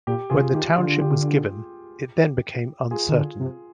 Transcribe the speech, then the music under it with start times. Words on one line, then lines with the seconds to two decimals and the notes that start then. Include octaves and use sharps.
When the township was given, it then became "Uncertain".
0.07 A#2 G4
0.30 C3 F4 G#4
0.54 D#3 G4
0.77 D3 F4
1.01 G4
2.91 F4 G#4
3.09 D#3
3.15 D3
3.40 C3